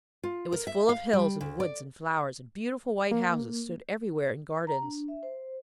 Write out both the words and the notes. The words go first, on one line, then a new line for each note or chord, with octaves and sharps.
It was full of hills and woods and flowers, and beautiful white houses stood everywhere in gardens.
F4
A#4
E5
F5
G3
D2
D5
A#3
A#5
D4
E5
C5